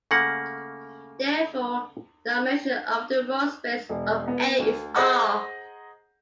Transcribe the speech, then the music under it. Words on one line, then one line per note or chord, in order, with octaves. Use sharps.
Therefore, the dimension of the row space of "A" is "r".
C#3 A3 A#3 F#5
E1
B3
D2
G#4 C5 D#5 F#5 A#5